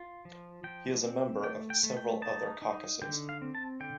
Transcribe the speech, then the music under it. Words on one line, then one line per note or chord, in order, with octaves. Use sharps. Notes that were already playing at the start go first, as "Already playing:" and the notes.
He is a member of several other caucuses.
Already playing: F4
F3
F3 G5
C4
A3 G5
G5
A3
G5
D#4 A5
D#4
D3 G5
F5
C4
A5
D3 G5